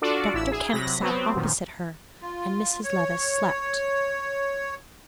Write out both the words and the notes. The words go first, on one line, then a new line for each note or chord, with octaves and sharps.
Dr. Kemp sat opposite her--and Mrs. Levice slept.
D4 F4 F#4 A4 D5
A1 E4 E6
G#4
C3 F#3 B5 A#6
F#3 B3 C4
F#2 A#2 D#3
F4
C#5